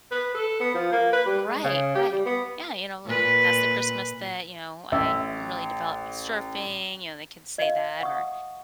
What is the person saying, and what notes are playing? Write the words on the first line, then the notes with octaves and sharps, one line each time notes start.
Right, right. Yeah, you know, l "That's the Christmas that, you know, I really developed my surfing." You know, they can say that or,
B4
A4
B3
F3
A#3
B4
G3
G#3
C#3
G4
G3
B3
A#2 B4
A1 E5
D#5 F5
F#5 C#6 D#6